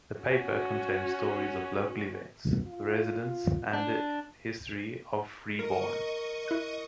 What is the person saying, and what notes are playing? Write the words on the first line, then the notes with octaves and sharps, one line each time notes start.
The paper contains stories of local events, the residents and history of Freeborn.
C#4 F#4
F4
D4
A#4 D#5 C#6 D#6
E4 F#6